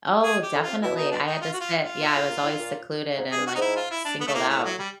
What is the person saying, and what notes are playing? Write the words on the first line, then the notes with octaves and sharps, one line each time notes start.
Oh, definitely, I had to sit yeah, I was always secluded and, like, singled out.
A#3 G#4
G#3
G4
D3
F4
C3
B2 E4
D#4
D4
D#4
F4
F#4
F4
F4
A#2
A2
A#2
A2
A#2
G#2
G2 G#4
F#4
G#2 D#4
E4
F4
E4
D4
B3
A3
A2 A#3
A3
F#3
G3